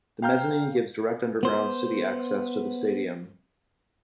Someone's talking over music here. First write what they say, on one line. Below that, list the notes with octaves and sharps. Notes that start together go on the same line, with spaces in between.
The mezzanine gives direct underground city access to the Stadium.
F5 G5 A#5 F6 G6
B3 C5